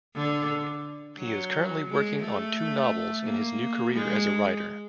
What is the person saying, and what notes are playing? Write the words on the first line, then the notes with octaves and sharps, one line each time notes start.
He is currently working on two novels in his new career as a writer.
D3
F#3
G#3
A3
A#3
G#3